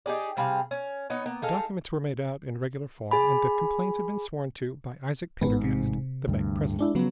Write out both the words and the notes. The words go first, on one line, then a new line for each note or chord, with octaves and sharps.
The documents were made out in regular form, and the complaints had been sworn to by Isaac Pendergast, the bank president.
D#4 G4 G#4 D5
C3 G3 G#4 F5
C#4
B3 D#4 C#5
A#3 B3
D#4 G#4 A4 F5
G#4 G#5 B5
A1 G#2 B3
C3
D2 G2
G#3 D4 E4
C#3 F3 F#3 B3